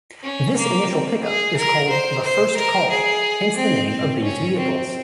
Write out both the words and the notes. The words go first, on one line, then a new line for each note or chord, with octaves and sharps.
This initial pickup is called the "first call", hence the name of these vehicles.
C#4
A#3
C4
G#4
A#4
C5
C5
A#4
G#4
C4
C4
C#4
C4